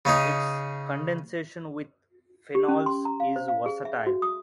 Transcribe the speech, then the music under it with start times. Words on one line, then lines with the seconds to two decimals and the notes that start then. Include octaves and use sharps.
Its condensation with phenols is versatile.
0.05 C#3 C#4 D#4 G#4
2.55 G4
2.68 C#4
2.86 C6
3.05 A#5
3.20 F5
3.36 C5
3.48 F5
3.66 G#4
3.85 E5
4.06 F#4
4.22 D#6